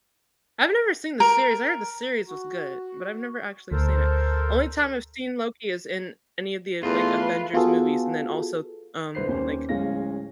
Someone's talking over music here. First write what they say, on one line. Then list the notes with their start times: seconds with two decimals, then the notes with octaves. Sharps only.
I've never seen the series. I heard the series was good, but I've never actually seen it. Only time I've seen Loki is in any of the, like, Avengers movies. And then also, um, like,
1.20 A#4
2.28 F#4
3.71 D2 A4 A#4 C5
6.83 E2 A3 F4 B4 C6
7.54 B3 F4 F#4 G#4 A4
9.15 C2 B4 C5 C7
9.27 D#2 C#4 C5
9.69 D1 G#3 C#4 F5 A#6